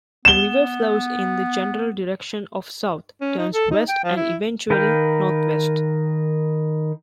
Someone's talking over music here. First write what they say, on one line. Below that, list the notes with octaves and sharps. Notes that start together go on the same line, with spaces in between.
The river flows in the general direction south, turns west, and eventually northwest.
B3 E7 G7
C#4
D#4
A4
D#4
G5
F3
E4
D#3 A#4 B4 F5 G5